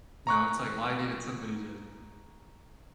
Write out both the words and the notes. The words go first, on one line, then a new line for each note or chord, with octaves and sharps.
you know, it's like, well, I needed somebody to
A#5 C#6 F#6